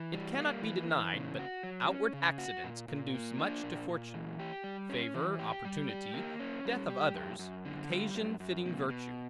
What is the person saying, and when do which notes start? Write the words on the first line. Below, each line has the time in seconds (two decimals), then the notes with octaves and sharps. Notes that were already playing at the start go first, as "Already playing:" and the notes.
IT CANNOT be denied, but outward accidents conduce much to fortune; favor, opportunity, death of others, occasion fitting virtue.
Already playing: E3
0.13 G3
0.38 A#3
0.63 E3
0.88 E3
1.14 C#3
1.39 F#4
1.63 F#3
1.89 C#4
2.13 C#3
2.38 F#4
2.64 A#2
2.88 A#2
3.14 A#3
3.39 D4
3.64 A#2
3.89 A#2
4.14 E3
4.39 G4
4.64 G3
4.89 C#4
5.14 E3
5.39 G4
5.65 G3
5.89 G4
6.14 A#3
6.39 C#4
6.65 G3
6.90 G4
7.14 F#2
7.39 F#2
7.65 D3
7.90 G3
8.14 F#2
8.40 F#2
8.66 B2
8.90 B2